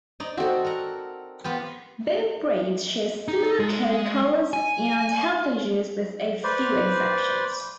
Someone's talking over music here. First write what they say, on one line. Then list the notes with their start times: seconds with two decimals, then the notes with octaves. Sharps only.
Both breeds share similar coat colors and health issues with a few exceptions.
0.20 D#4 D5
0.37 C4 F#4 A4
0.65 A#4 F#5
1.44 B3 F4 G4
3.28 D#4
3.60 G#3
4.53 G#5
6.44 B4 C5 D5